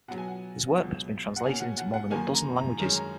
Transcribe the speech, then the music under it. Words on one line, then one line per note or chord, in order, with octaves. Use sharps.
His work has been translated into more than a dozen languages.
B2 F#3 B3 F#5
G#5
F#5
C#2 B2 F#3 B3
F#5
B2 A#3 C#4 G#5
F#5
F#5
F#5
F#2 D#3 A#3 G#5
A#5
A#5
F#2 D#3 G#3 C#4 A#5
A#5